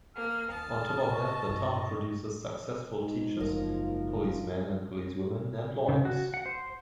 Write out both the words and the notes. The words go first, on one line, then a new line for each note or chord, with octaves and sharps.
On top of that, the town produces successful teachers, policemen and policewomen, and lawyers.
A#3 A5 F6
D#2 A5 D#6 F6
B2 D#5 C#6
G2 E4
G#2
F#1 F3 A#4
C#3
F#4
F#5
C5